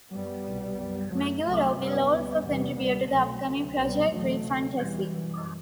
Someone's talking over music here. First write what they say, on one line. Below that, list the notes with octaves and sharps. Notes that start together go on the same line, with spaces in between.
Meguro will also contribute to the upcoming "Project Re Fantasy".
F#2 G3 B3
C2 B2
F#2
F#2 F#3 A3
C2 C3 F#3 A3
F#2 G3 B3
D2 C3
E2 C3 G3 B3
D2 C3 G3 B3
C2 B2 F#3 A3
D2 C3 F#3 A3
C2 B2 G3 B3
E2 B2 F#3 A3
D2 C3
E2 B2 E3 G3
F#2